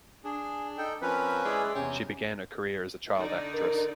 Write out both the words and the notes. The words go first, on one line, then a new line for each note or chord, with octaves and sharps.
She began her career as a child actress.
D4 G#4
D#4 A4 G5
F3 C4 C#4 A#4 B4 B5
G#3 E4 G#4 D5
E2 C3 C#4 G5
D3 D#4 D5
A#4